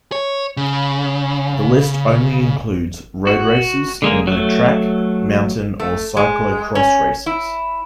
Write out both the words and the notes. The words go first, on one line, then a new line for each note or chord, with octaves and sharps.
The list only includes road races, and no track, mountain or cyclo-cross races.
C#5
C#3
F#4
D3 G#3 A#3
F#3 A3
A3
G#3
C#4
E4